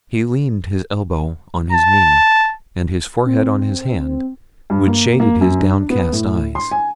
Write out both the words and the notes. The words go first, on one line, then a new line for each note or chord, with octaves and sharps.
He leaned his elbow on his knee, and his forehead on his hand, which shaded his downcast eyes.
A5
C4
G2
A#3
A#3
F#2
D4
B3
A2
C6
G#5